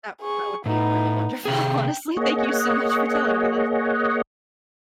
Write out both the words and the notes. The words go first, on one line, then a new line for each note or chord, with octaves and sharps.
That that would be really wonderful. Honestly, thank you so much for telling me this.
G#4 C#6
A2 B3 D#4
C3 G#4 G5
A#3 G#4 C#5 D#5 F#5